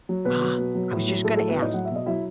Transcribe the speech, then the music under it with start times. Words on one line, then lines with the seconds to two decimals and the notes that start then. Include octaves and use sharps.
Ah, I was just gonna ask.
0.09 F#3
0.25 B2 B3 B4
0.41 F#3
0.58 B2
0.75 F#3
0.91 A2
1.07 F#3
1.24 A2 A3 A4
1.37 F#3 A3 A4
1.49 B3 B4
1.57 A2 D#4 D#5
1.74 F#3 F#5
1.85 E5
1.90 B2
1.96 D#5
2.06 F#3 E4 E5